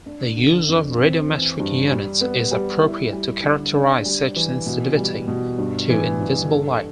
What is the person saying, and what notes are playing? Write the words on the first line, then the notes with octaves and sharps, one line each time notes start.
The use of radiometric units is appropriate to characterize such sensitivity to invisible light.
D4
D3
F2
C4
E3
G2
G3
B3
G3
E4
G3
D3
D4
G3
E3
B2
G3
B2
G2
E3
G2
A4